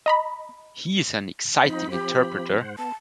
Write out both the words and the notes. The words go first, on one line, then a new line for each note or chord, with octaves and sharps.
He is an exciting interpreter.
D#5 A#5 B5
F3 C4 D#4 B5
G4
G#2 C5 F#5
B3 A5